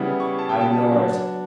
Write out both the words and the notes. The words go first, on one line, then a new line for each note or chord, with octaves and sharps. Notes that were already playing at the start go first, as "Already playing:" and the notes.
I ignore it.
Already playing: C#3 G3 B3 E4
C#6
A5
G5
A5
F#3 B3 D4